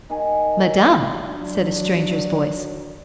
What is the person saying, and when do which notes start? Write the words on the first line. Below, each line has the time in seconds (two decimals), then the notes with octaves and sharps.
"Madame!..." said a stranger's voice.
0.10 D#3 G#5
1.25 F#3 D4